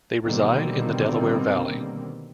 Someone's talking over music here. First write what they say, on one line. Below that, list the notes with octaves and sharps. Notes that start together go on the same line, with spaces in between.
They reside in the Delaware Valley.
B2 D3 D#3 G3 A#3 C4